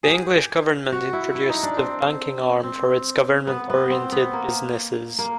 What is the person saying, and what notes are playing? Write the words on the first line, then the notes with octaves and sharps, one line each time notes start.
The English government introduced the banking arm for its government-oriented businesses.
G4 G#4
F#4
E4
E4
D#4
D4
C4
C4
B3
B3
C4
B3
A#3
A#3